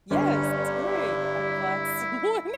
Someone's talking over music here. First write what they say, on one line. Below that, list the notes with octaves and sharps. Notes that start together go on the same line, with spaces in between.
Yes, good, I'm glad someone
G1 G2 C#4
E4